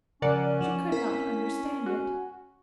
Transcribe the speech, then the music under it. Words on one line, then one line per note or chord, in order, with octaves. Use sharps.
She could not understand it.
C#3 F3 C#4 A#4 D5 F#5
F3
C4 E4 A#4 B6
F#4